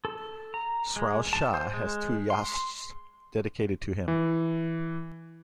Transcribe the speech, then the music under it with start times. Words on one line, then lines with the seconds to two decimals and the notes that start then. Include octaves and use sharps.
Sraosha has two yashts dedicated to him.
0.05 A4
0.54 A#5
0.96 G#3
1.33 A5
1.54 C5
1.74 G#3
2.30 C6
4.08 E3